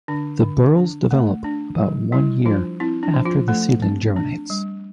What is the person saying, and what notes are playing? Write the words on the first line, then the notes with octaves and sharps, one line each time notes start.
The burls develop about one year after the seedling germinates.
D3 D4
D3
D4
A3
D4
G3
G3 E4
F3 D4 F4
C4 E4
D4
F3
F3 F4
F3 A3 A4
C4
D4
G3